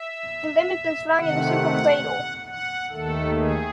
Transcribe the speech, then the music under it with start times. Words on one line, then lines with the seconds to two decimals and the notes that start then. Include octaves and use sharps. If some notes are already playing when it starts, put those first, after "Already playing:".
The limb is then slung in a simple cradle.
Already playing: E5
1.15 C3 D#3 A3 F#5
2.47 F#5
2.90 D#2 D#3 A3 A4
3.34 G#4